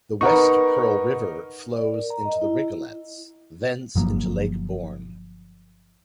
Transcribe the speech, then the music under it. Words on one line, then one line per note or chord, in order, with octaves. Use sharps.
The West Pearl River flows into The Rigolets, thence into Lake Borgne.
D#4 A#4 B4 F#5 C#6
D5
A#4
A#5
D#5
E4
G1 F3 F#3 A#3